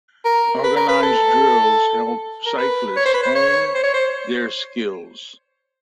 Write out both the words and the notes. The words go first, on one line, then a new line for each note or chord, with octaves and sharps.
Organized drills help cyclists hone their skills.
A#4
B4
A#4
B4
A4
A#4
B4
C#5
C5
B4
C5
C#5
C5
C#5
C5